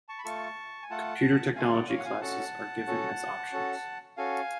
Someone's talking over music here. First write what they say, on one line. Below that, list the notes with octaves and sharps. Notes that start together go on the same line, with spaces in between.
Computer technology classes are given as options.
A5 C#6
B5
A3 F4 A4 A5 C#6
G#5
A3 F4 A4 F#5 A5
A3 F4 A4 F5 G#5
D5 F#5
C#5 F5
F#5
F5 G#5
C#4 F#4 A4 F#5 A5
C#4 F#4 A4
C#4 F#4 A4
C#4 F#4 A4 F5 G#5